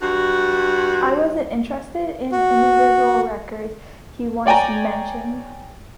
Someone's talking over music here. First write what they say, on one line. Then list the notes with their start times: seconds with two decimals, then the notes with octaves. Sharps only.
"I wasn't interested in individual records," he once mentioned.
0.02 G2 F#4
2.32 F#4
4.46 C#5 D5 G5 G#5 A#5